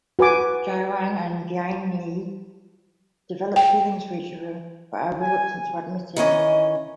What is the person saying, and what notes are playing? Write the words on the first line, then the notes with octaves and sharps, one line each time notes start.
Ji-hwan and Gyung-hee develop feelings for each other but are reluctant to admit it.
F#4 B4 G#5 D6
G5
G#5
D#3 E3 C#4 D#5